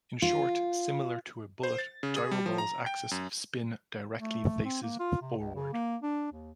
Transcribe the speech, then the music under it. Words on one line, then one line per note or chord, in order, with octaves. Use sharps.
In short, similar to a bullet, gyroball's axis of spin directly faces forward.
F4
C5
A6
C#3
G#4
G3
F3
A#5
G5
F#2
A3
C4
A#3
F4
C3
C#2
C#3
A#3
D4
D#2